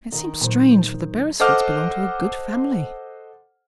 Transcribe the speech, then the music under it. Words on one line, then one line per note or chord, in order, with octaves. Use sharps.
It seems strange, for the Beresfords belong to a good family.'
D#3
A#2 F#3 C5
A4 C5 D#5 F#5 D6 F6